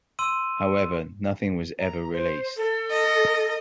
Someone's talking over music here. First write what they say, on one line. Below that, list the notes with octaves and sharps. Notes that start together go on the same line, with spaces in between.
However, nothing was ever released.
C6 E6 D#7
A#5
C5
A4
D#5